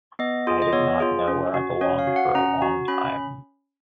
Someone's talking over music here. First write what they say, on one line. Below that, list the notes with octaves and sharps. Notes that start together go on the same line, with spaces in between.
I did not know where I belonged for a long time.
B3 D#5
F4 G#4
D#5
B3 C#5
F4 G#4
C#4
F#4
C#4 C#5
F5
F#4
F#5
C#4 A#5
F#4
C#4 B5